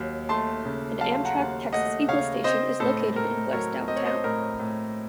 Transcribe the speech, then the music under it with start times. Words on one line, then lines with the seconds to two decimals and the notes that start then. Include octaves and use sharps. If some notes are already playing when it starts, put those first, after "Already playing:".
An Amtrak "Texas Eagle" station is located in west downtown.
Already playing: D#2 F#3
0.29 A3 A5 C6
0.65 C#3
1.01 F#3 F5 A5
1.25 F#5 A#5
1.37 D#2
1.72 A3 D#5 F#5
2.08 C#3 C#5 F5
2.44 C4 C5 D#5
2.80 A2 A4 C5
3.16 A2 A#4
3.52 F#3 A#4 C#5
3.88 C4 D#5
3.96 C#5
4.05 C5 D#5
4.24 A2 A#4
4.60 A2